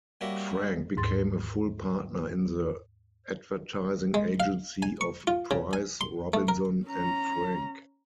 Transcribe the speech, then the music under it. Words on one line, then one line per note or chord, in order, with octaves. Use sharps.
Frank became a full partner in the advertising agency of Price, Robinson and Frank.
G3 A#3 C#4 F#4 A#4 E5
D#2 G#2 C6 A6
G#3
F5
G#5
C#6
F4
C#3
G#5
C6
A3
A#4
C#4 A#5